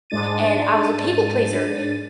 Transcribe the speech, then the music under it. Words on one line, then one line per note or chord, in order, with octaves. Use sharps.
and I was a people pleaser,
G#2 G#3 D4 A6 D#7